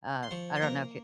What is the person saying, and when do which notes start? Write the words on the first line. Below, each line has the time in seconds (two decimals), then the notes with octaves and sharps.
Uh, I don't know if you
0.23 C6
0.31 F3 C#6
0.56 C6
0.61 A#3 A#5